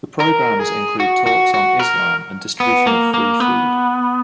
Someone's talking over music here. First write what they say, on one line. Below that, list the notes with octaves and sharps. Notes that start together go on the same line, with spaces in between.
The programs include talks on Islam and distribution of free food.
A#4
G#4
F#4
F#4
F#4
A#4
B3
A#3
A#3
B3